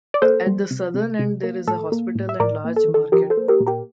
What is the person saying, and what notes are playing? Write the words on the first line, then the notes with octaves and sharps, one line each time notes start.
At the southern end there is a hospital and large market.
D5
A#3 A4 C5
G3
C3
C3
C3
A#3
A2 A4
A#3
A2
E5
A2 A#4 D5
A#3
A4
E3
A4
F3 G4 A#4
A4 C5
A#3
G4 A#4
A#2
G4 A#4